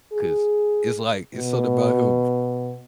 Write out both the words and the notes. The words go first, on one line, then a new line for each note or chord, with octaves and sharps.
'cause it's, like, it's something about him p
G#4
B2